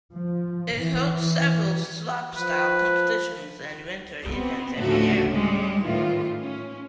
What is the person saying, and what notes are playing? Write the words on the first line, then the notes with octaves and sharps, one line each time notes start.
It hosts several Slopestyle Competitions and winter events every year.
F3
E3
F3 B4
B3 C4
D2 A2 C#3 F3 A3 F#4
G3 G#3 C#4
A2 D#3 E3 F4
C#4